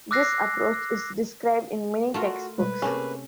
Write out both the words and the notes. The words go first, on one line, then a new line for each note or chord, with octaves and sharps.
This approach is described in many text books.
D6 E6 F#6 A#6 C7
A3 F4 F#4 A#4
B2 G3 G#3 B4
C3 A3 A#3 C#4 G#4